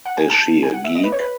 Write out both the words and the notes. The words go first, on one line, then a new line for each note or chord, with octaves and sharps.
Is she a geek?
F#5
G#5
A5
G#5
F#5
E5
D#5
B4
C#5
B4